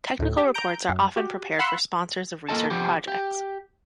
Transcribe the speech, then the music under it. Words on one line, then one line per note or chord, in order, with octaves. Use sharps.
Technical reports are often prepared for sponsors of research projects.
D2 A2
G4
A#5 G6 D7
F#2
F#4 G4
F5 F#5 B5 C6 E6 F#6
A#3 F4 A4 D#5 A5
F3 B3 G4
G4